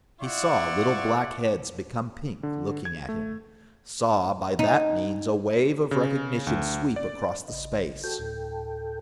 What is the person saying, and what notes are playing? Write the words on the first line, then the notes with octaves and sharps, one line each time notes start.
He saw little black heads become pink, looking at him, saw by that means a wave of recognition sweep across the space.
E4 F4 D5 F#5 C#6
D3
G#6
A3
D#4
C#3
D2
D5
A1 C#3 D#5
F#4 A4 G5
D2 A2